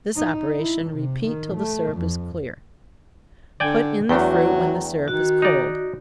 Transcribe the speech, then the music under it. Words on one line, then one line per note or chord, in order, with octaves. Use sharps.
This operation repeat till the syrup is clear--put in the fruit when the syrup is cold.
D#4
E4
C3
D#3
A3
F2
D3 D5 G5 G#5
E2 F#3 A3 D4 G5 A#5
D#3 F#4
D#4 D5